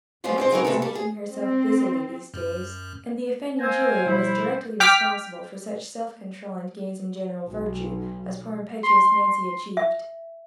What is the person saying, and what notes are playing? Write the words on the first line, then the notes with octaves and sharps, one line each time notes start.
Nancy was making herself busily these days, and the offending Julia was directly responsible for such self-control and gains in general virtue as poor impetuous Nancy achieved.
F#2 F3 G3 C#4 F4
G#3 C4 C5
F#3 G#3 B3 D#4 A#4
E2 C3 F#3 A4
G3 A4
G#4
C4
F#2
C5 F5 G5 G#5 E6 G#6 A#6
B2 F3 G3 E4
G5 D6 F6 B6
B1
C6
E5